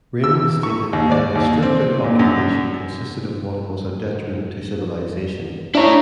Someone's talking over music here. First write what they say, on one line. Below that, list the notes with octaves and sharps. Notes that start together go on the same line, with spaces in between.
Raymond stated that a destructive occupation consisted of what was a detriment to civilization.
E6
C#6
D#2
D5
D#2
C4
A#2
F#2
D4 E4 C#5 A#5